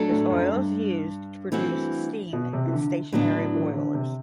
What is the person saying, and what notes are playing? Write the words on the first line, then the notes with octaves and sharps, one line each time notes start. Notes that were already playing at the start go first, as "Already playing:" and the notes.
This oil is used to produce steam in stationary boilers.
Already playing: F#3 A3 D4 A4
A2
F#2
G2
E3 A3 C4 F#4
B2
C3
E3
D3
A2 D3 F#3 B3 D4
D3
E3
D3
C3